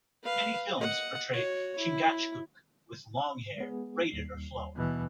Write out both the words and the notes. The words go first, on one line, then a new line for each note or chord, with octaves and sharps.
Many films portray Chingachgook with long hair, braided or flowing.
B4 F5
D#5 F#5
F#4 C#5
E4
G#3 B3 G#4
D#2 G3 C7
B2 E3